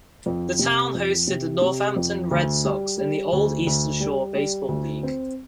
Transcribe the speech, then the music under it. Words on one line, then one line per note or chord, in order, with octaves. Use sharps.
The town hosted the Northampton Red Sox in the old Eastern Shore Baseball League.
F2
C3
F2
C3
C3
F2
D2
G3
G3
D2
D2
G3
G3
D2
C4